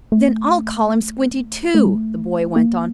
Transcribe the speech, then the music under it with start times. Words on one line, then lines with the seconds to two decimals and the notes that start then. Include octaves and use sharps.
"Then I'll call him Squinty, too," the boy went on.
0.12 A3
0.21 A#3
0.29 A3
0.88 A#3
0.92 A3
1.75 A3
1.85 G3
1.95 A3
2.56 A#3